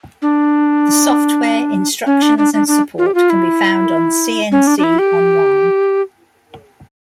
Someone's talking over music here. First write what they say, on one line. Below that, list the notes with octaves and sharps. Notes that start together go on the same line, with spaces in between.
The software, instructions and support can be found on CnC Online.
D4
C#4
D4
D4
D4
D4
F4
G4
F4
E4
C#4
D4
D4
E4
G4